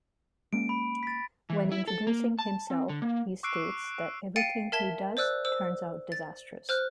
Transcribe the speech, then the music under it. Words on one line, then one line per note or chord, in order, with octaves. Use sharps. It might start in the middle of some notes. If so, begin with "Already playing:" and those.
When introducing himself, he states that everything he does turns out disastrous.
G#3 A#3 C#4 D7
B5
A6 B6
E3
E4
A4
A#3
A5
C4
D3
A#3
C#6 D6 E6 F#6 C7 D7
F5 G5 A6 C7 C#7 D#7
A#4 E5 A5 G#6 B6 G7
C5 D5 E6 F#6
C5 E6
A6
C5 F6 F#6